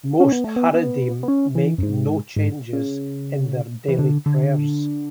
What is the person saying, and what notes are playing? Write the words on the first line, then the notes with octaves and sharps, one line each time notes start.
Most Haredim make no changes in their daily prayers.
C#4
B3
A3
B3
B3
B3
C#4
E3
F#2
G#2
G#2
C#3
E3
D3
D3